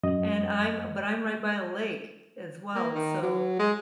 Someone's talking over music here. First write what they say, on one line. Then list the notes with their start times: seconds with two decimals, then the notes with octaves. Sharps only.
and I'm but I'm right by a lake as well, so
0.03 F#2 D#5
2.75 A#3
2.95 D#3
3.22 F#3
3.59 G#3